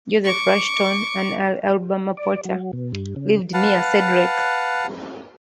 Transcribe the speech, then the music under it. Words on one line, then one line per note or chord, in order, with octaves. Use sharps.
Joseph Rushton, an early Alabama potter, lived near Cedric.
C#6 D6
D5
F#3
B2
G2
C#3
B4 F5 F#5 A5